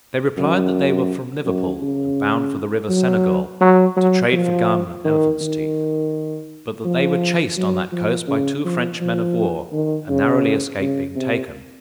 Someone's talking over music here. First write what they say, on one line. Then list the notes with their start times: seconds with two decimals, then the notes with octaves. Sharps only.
They replied, that they were from Liverpool, and bound for the river Senegal, to trade for gum and elephants teeth; but that they were chased on that coast by two French men-of-war, and narrowly escaped being taken.
0.37 F#2
1.46 F#2
1.82 C#3
2.89 F#3
3.61 F#3
3.96 F#3
4.33 F3
5.05 D#3
5.41 D#3
6.84 F3
7.57 F#3
7.92 F3
8.28 C#3
8.65 F3
9.01 F3
9.73 D#3
10.09 C#3
10.80 C#3
11.16 C3